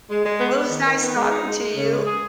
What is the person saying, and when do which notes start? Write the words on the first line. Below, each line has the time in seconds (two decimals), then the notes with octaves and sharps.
Well, it was nice talking to you.
0.09 G#3
0.25 G#3
0.40 B3
0.55 B3
0.70 D#3
0.85 D#3
1.01 B3
1.16 G#3
1.31 D#4
1.46 G#3
1.61 G#3
1.76 C#3
1.91 G#3
2.06 G#4